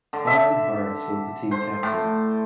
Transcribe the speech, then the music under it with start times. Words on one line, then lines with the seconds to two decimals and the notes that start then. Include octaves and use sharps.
Aaron Harris was the team captain.
0.13 D3
0.27 E5
1.51 C5
1.83 A2